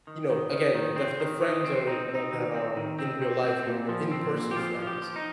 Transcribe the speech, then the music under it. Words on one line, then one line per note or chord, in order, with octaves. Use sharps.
you know, again, the the friends are that that are in real life, your your in-person friends,
D#3
D#3
D#3
D#3
C4
D#3
D#3
C4
C4 D#4
C4
D#4
D#3
C4
D#3
C4
C4
C4
A#2
F3
C4
A#2
G4
F3 F4
F3 F4
G4
F3
D#4